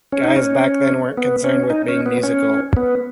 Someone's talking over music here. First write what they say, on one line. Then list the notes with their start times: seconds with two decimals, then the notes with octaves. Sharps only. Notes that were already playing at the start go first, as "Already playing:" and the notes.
Guys back then weren't concerned with being musical.
0.12 C#4
0.24 D#4
0.36 C#4
1.17 B3
1.44 C#4
1.70 D#4
1.89 C#4
2.06 B3
2.23 C#4
2.77 B3